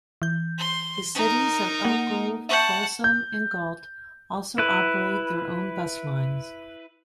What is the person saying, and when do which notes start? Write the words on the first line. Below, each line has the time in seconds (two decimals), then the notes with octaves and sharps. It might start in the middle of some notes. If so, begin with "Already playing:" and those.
The cities of Elk Grove, Folsom and Galt also operate their own bus lines.
0.22 E3 G6
0.58 C6
1.15 D#4 A#4
1.84 A#3 F#5
2.49 E5 F#5 A5 C#6 G6
3.04 G6
4.58 E4 B4